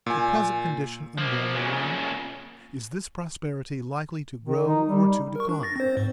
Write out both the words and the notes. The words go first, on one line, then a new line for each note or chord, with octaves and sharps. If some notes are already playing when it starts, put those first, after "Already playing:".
Is the present condition a normal one--is this prosperity likely to grow or to decline?
A#2 G#5
F3 A#3
A#2 C#3
D#3
D#4
G3
A#4 C#6
D4
A6 A#6
C4 C5
G#2